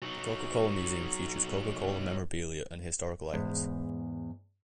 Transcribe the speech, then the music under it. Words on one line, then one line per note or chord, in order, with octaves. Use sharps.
The Coca-Cola Museum features Coca-Cola memorabilia and historical items.
F#3 D#4
E2 G#2